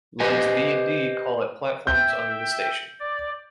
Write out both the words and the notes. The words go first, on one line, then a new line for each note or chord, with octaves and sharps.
Lines B and D call at platforms under the station.
G4 B4 C5 D#5 G#5
E5 G5 G6
D5